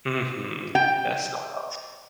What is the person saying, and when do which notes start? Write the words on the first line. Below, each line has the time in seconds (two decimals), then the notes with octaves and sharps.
Mhm. That's so awes
0.75 G5